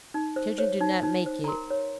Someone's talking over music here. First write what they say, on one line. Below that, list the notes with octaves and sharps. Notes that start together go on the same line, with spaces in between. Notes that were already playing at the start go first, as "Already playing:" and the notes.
Children do not make it.
D#4
C5
C5 C#5
D#4
D#4
C5
A#5
A#4 C6
C#5